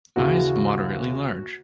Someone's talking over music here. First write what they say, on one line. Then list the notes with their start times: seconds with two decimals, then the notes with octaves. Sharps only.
Eyes moderately large.
0.16 D#2 C#3 E3 F#4